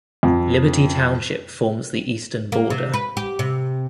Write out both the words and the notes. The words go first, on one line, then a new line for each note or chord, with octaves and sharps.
Liberty Township forms the eastern border.
F2
A#3
C3
B4
G4
C3